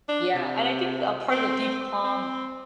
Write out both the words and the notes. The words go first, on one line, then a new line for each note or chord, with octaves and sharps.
Yeah, and I think a part of the deep calm,
D4
C3
C4
C4